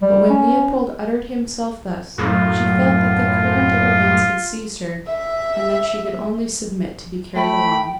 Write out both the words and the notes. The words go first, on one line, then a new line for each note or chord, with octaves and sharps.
But when Leopold uttered himself thus, she felt that the current of events had seized her, and that she could only submit to be carried along.
G3
C#4
F#2 A2 F4
E5
A3 G5 B5